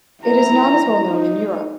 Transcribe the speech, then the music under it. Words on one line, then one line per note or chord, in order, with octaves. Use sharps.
It is not as well known in Europe.
E4 A#5
D#4